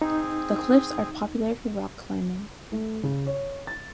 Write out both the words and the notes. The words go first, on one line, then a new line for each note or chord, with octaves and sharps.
The cliffs are popular for rock climbing.
C4 D#4 G#4
A3
C#3
C#5
A6